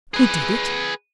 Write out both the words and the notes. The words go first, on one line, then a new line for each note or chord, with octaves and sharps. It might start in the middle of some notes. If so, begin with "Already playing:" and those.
Who did it?
G#4 B4